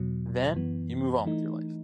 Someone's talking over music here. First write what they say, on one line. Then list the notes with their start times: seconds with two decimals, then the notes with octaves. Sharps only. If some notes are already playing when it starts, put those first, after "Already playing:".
Then, you move on with your life.
Already playing: E2 B2 F#3
0.53 F#2 E3 B3
1.25 E3 A3 D#4